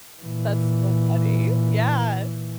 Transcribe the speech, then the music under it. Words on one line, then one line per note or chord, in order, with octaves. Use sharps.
That's so funny, yeah,
A#2 E3